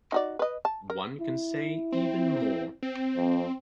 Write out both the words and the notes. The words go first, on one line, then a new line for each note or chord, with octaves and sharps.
One can say even more.
D#4 F#4 D5
B4 D#5
A5
A#4
E4
C4
C4
F2